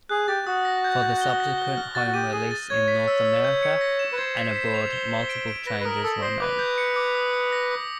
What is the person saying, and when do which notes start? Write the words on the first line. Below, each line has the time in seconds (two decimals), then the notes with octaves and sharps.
For the subsequent home release in North America and abroad, multiple changes were made.
0.09 G#4 F#6
0.28 G4 A6
0.47 F#4 D#6
0.65 A#6
0.84 G6
1.02 G6
1.21 G7
1.40 A#6
1.58 G7
1.77 F6
1.95 F#4 A6
2.07 F#4
2.14 G4 D#7
2.33 G#4 D#7
2.51 A6
2.70 C#5 G#6
2.88 B6
3.08 E6
3.25 E6
3.44 G6
3.63 C#7
3.81 A#6
3.99 E7
4.12 B4
4.18 C5 G#6
4.36 B6
4.56 B6
4.74 F7
4.92 G7
5.11 G7
5.29 D7
5.48 D7
5.66 B4 A#6
5.80 B4
5.85 A#4 D#6
6.04 A4 D#6
6.22 C5 A#6
6.40 B4 D6
6.59 G6
6.78 C#7
6.96 D6
7.15 D#6
7.33 D#6
7.52 A#6
7.71 D#6